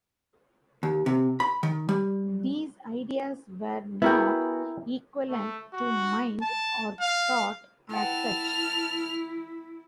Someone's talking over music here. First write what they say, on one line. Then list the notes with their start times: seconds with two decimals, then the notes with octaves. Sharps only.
These ideas were not equivalent to mind or thought as such.
0.83 D#2
1.06 C3
1.40 B5
1.63 D#3
1.89 G3
4.02 B3 E4 F#4 G#4 A#4 G5
5.29 A3
5.74 F#4
6.42 A5
7.01 F5
7.93 E4 B4 F#5 G5 A5 F6